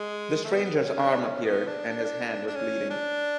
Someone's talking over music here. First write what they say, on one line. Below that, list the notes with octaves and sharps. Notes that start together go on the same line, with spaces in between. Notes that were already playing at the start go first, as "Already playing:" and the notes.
The stranger’s arm appeared, and his hand was bleeding.
Already playing: G#3
A3
B3
B3
C#4
D4
C#4
B3
D4
D4
D4
C#4
D4